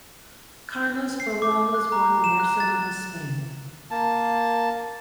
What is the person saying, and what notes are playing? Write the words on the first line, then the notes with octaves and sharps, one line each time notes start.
Carlos Barral was born in Barcelona, Spain.
C7
D6
F#6
A#5
E7
F#6
A6
A#3 A5